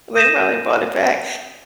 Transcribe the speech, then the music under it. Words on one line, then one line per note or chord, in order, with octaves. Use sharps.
they probably brought it back.
D#6 G6 A#6 D#7 E7